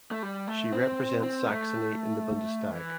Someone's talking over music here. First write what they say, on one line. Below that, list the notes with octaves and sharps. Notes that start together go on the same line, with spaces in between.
She represents Saxony in the Bundestag.
A3
G3
A3
C4
C4
A3
E3